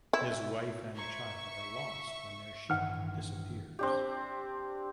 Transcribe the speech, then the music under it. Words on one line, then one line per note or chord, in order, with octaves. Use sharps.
His wife and child are lost when their ship disappears.
E4
C5 E5 A#5 C#6 G#6
A1 G2 D#3 F#5 F6
C4 D4 G4